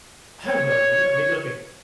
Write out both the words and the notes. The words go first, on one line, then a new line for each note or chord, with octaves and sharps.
I have no idea. Maybe, like, a
C#5